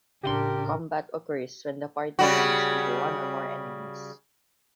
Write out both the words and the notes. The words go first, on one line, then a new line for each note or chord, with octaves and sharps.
Combat occurs when the party runs into one or more enemies.
A1 C#3 D4 G4 A#4 D#5 C6
C#3 G3 F#4